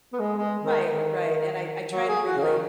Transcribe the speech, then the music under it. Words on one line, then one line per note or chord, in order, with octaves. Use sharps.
Right, right, and I I try to relate
B3
G#3
G#3
D#3
D#3
F#3
G#4
F#4
C#3
D#3